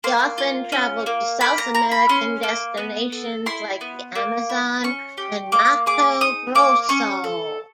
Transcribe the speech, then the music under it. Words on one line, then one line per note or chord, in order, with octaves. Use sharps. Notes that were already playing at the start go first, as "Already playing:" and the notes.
He often travelled to South American destinations like the Amazon and Mato Grosso.
A#3 C6
F4
C#4
A#3
A#3 B5
A#5
E4 A#5
B5
C#4 C6
A#3
B3
A4
E4 C6
B3
A#3
E4
C#4 C#6
G4
A#3 D6
G#4 D6
D#4 D#6
A#3 D6
C#4 C#6
A4